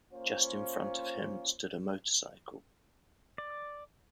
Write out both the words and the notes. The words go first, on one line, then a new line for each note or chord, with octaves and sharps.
Just in front of him stood a motorcycle.
A#3 C#4 F4 C5
D5